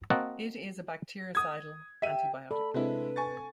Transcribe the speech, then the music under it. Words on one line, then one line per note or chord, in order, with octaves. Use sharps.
It is a bactericidal antibiotic.
A#3 C4 F#4 D#5 F#5 A5
D#6 G#6
G4 E5 D#7
A4 D5 B5
C3 G#3 C4 D4 E4 B4
G#5 C#6 A6